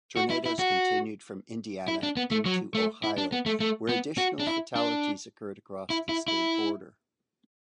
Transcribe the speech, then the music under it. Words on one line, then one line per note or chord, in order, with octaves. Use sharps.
Tornadoes continued from Indiana into Ohio where additional fatalities occurred across the state border.
F#4
E4
E4
F#4
E4
D4
B3
A3
F#3
A3
E4
D4
B3
A3
A3
B3
F#4
D4
E4
D4
E4
E4
E4